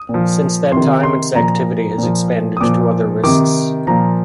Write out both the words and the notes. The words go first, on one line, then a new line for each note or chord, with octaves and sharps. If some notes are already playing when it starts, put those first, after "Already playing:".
Since that time its activity has expanded to other risks.
Already playing: D#6
A#2
F3
C3 D#3 C6
C6
A#2 F3 A#5
A#2 F3
D#6
A#2 F3 D6
C3 D#3 D6
A#2 F3 A#5